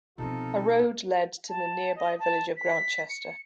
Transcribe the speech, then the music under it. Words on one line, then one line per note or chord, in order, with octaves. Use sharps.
A road led to the nearby village of Grantchester.
C2 B2 F3 A3 C4 D#4 F4 A4
A5
D#5
A5
B6
C#7